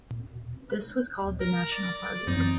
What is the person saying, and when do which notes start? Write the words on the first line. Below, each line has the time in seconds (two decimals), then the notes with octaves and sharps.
This was called the National Party.
1.40 A#4
1.72 D5
2.27 F#2 E3 C4 D#4